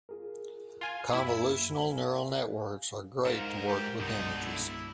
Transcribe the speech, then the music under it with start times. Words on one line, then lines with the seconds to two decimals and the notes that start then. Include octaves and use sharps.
Convolutional Neural Networks are great to work with images.
0.09 F4 G#4 A#4
0.81 F4 G#5
1.13 F#2 A#3 E4 E5
1.90 F5 G#5
3.25 D2 G#2 D#4 A#4 F5
3.67 F4 G4 A#4 C5
4.00 C2 G2 B2 D3 G#3 D#4
4.42 E4